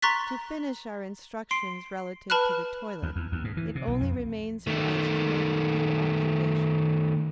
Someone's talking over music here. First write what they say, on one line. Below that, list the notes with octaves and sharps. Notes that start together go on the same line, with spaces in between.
To finish our instructions relative to the toilet, it only remains for us to make a few observations.
A#5 C6 C#6 F#6 A6 B6
C6 C7 D7
B4 A5 B5 F6 F#6
D#2
E2
D#2
G#2
E3
C3
B1
F2
D#3 A3